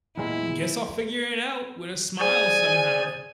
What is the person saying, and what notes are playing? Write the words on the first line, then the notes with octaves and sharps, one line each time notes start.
guess I'll figure it out with a smile somehow."
E2 A#2 G#3 E4
G#4 C5 D5 G#5